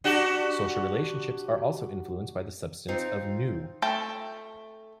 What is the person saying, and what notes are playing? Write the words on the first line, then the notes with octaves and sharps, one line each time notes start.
Social relationships are also influenced by the substance of Nu.
D4 F#4 G4
C4 D#4 F4
A3 G5 A5